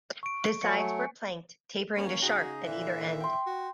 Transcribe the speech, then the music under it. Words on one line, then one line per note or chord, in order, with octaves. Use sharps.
The sides were planked, tapering to sharp at either end.
C#6 D7
F#3 A3 G#5 C#7
A#3 C#4
C#3 D#4 F#4 G#4
A#2 D3 E3 E5
G5 C6
F#4